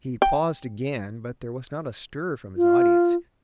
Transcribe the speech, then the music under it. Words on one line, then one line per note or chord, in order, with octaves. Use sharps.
He paused again, but there was not a stir from his audience.
G5
F4